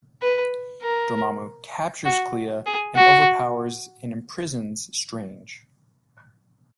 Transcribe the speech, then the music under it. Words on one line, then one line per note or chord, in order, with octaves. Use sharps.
Dormammu captures Clea, and overpowers and imprisons Strange.
B4
A#4
F#4
G#4
F#4